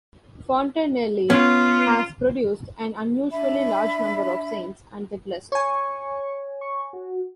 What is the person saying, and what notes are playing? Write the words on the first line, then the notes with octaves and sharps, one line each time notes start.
Fontenelle has produced an unusually large number of saints and the blessed.
B3 C#4 F4
D4 E5 B5
C#5 G#5 C#6
C#6
F#4